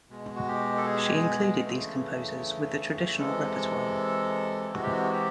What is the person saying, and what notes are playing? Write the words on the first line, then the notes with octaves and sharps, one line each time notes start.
She included these composers with the traditional repertoire.
B2 G#3
F#4
G4
A4
G#4
G4
G#4
C#3 E3 A3
C3 E3 G#3 A4
C3 E3 G#3 F#4
G4
F#4
G4